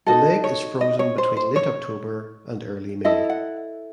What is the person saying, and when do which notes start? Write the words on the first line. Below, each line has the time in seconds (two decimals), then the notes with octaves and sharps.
The lake is frozen between late October and early May.
0.06 D#4 F#4 A4 D#5
0.44 C#5
0.81 D#5
0.99 C#5
1.18 C5
1.37 C5
1.56 C#5
3.05 E4 A4 D#5
3.30 F#5